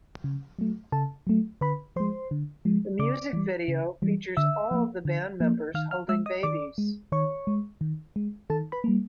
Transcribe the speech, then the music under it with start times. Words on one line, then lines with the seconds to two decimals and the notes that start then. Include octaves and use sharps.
The music video features all of the band members holding babies.
0.24 C#3
0.59 F#3 A3
0.92 C#3 A4 A5
1.27 F#3 A3
1.61 D3 B4 B5
1.96 F3 G#3 C5 C6
2.31 D3
2.65 F3 G#3
2.99 C#3 D5 D6
3.33 E3 G3
3.68 C#3
4.02 E3 G3
4.37 D3 E5 E6
4.71 F3 A#3
5.05 D3
5.41 F3 A#3
5.74 D#3 F5 F6
5.91 F5 F6
6.09 G#3 E5 E6
6.26 D#5 D#6
6.43 D#3 D5 D6
6.78 G#3
7.12 D#3 C#5 C#6
7.47 G#3
7.81 D#3
8.16 G#3
8.50 D#3 A4 A5
8.72 B4 B5
8.84 G3 A#3